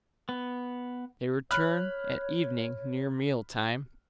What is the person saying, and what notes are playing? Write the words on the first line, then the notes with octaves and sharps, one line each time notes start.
They return at evening near meal time.
B3
C#5 B5 F6 F#6